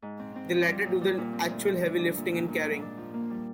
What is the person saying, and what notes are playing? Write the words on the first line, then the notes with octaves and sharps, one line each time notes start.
The latter do the actual heavy lifting and carrying.
G#2
C4
C4
F3
G3
A#2
G3
A#2
C4
D2
C4
D3
D4
A#2
A#2
A#2
G#2
D4
F3
A#3
G3